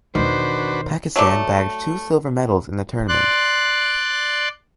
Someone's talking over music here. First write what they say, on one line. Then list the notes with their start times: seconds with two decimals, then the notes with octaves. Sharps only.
Pakistan bagged two silver medals in the tournament.
0.15 E2 B2 D#3 D4 F#4 B4 C5
1.16 F#3 A3 D5
3.08 D5 C6 F#6